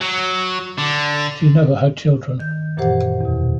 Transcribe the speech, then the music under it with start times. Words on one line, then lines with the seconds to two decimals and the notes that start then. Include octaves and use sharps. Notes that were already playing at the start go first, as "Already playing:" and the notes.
She never had children.
0.01 F#3
0.78 D3
2.40 D#3 G6
2.77 F#2 A#2 E3 G4 C5 F#5
3.21 E2 B2